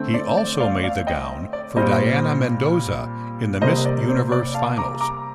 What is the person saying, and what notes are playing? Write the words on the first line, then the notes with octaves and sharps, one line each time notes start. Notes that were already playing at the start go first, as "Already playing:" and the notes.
He also made the gown for Dayana Mendoza in the Miss Universe finals.
Already playing: D3 A3 C4
D5
D5
D5 F5
D5 F5
D#5 G5
D5
A#2 G3 C4 C5 D#5
C3 G3 A#3 C5 D#5
D5
C5
D5
F5 A5
A#5 D6
A#5 D6